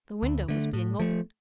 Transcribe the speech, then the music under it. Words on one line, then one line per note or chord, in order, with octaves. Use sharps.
The window was being opened.
D2
D3 A3
A2
F3 A3